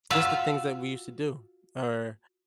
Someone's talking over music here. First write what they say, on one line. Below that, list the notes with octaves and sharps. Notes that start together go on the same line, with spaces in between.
just the things that we used to do, or,
F4 F#4 E5 F5